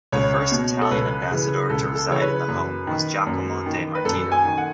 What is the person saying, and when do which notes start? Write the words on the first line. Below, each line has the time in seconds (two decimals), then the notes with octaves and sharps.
The first Italian ambassador to reside in the home was Giacomo De Martino.
0.12 C#2 C#5
0.52 B2
0.82 A4
0.91 C#2 B4
1.31 C#3 E3
1.70 C#2 A4
1.95 A4
2.08 C#3 E3 C#5
2.22 B4
2.48 F#2
2.87 D#3
3.27 F#2
3.66 D#3
3.95 B4
4.05 F#2 A4
4.32 G#5
4.45 D#3
4.58 F#5